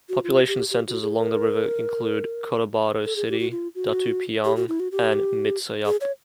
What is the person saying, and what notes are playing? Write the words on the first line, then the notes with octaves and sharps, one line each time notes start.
Population centers along the river include Cotabato City, Datu Piang, and Midsayap.
F#4
F4
G4
G4
F#4
G#4
A#4
A4
G#4
G4
F#4
F4
F#4
G4
F#4
E4
F#4
G4
G#4
C#5